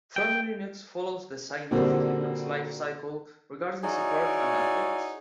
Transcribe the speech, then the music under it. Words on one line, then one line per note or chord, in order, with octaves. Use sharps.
Fermi Linux follows the Scientific Linux life cycle regarding support and updates.
G5
A#2 D3 F#3 G3 A#3 C4
D#4 E4 F#4 G#4 C#5 D5